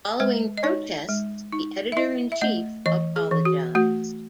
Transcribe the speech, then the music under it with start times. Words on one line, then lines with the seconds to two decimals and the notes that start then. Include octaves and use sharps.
Following protests the editor-in-chief apologized.
0.20 G#3 B4
0.57 D#5
0.63 D#4 C#5
1.09 G#3
1.52 D#4
1.92 E5
1.97 E4 D#5
2.32 E5
2.41 A3 D#5
2.86 E3 D#5
3.16 G#4
3.31 E3
3.45 F#4
3.75 A3 F#4